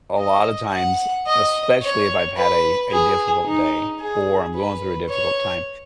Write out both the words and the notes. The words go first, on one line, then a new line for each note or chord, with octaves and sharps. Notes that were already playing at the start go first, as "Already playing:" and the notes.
a lot of times, especially if I've had a a difficult day or I'm going through a difficult time,
D#5
F#5
D#5
C#5
B4
G#4
D#4
G#4
B4
C#5